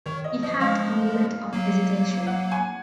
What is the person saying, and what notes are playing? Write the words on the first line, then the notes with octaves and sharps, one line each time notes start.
He had a moment of hesitation.
D#3 C#5
D#5
F3 D#5
F3 G#3 F5
F#3 A#3
F#5
G#5